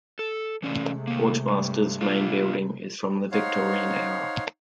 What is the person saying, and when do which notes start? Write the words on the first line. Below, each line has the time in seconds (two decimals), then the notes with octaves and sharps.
Forgemasters' main building is from the Victorian era.
0.19 A4
0.63 C3 E3 G#3 A3 C#4 D5
1.07 D#3 A#3
1.48 G2
2.01 D4 F4
3.32 D#4 C5 C#5 F5 F#5